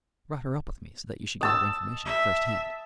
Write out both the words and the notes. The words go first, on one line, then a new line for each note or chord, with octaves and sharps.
I brought her up with me, so that you should get her information at first hand.
D#5 A5 E6
E5